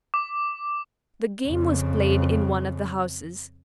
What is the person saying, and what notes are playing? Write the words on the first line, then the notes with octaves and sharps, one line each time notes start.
The game was played in one of the houses.
D6
F2 C#3